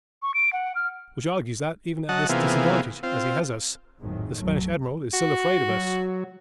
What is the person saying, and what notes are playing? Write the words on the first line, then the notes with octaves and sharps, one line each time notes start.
"Which argues that, even at this disadvantage as he has us, the Spanish Admiral is still afraid of us."
C#6
D7
F#5
F6
F#3 D#5 F#5 A5
C3 E3 A#3 B3 F4 G#4
C4 F4
G#1 F2 A2 D#3 F#3 G#3
B1 F#2 F#3 A3
F#4
F#3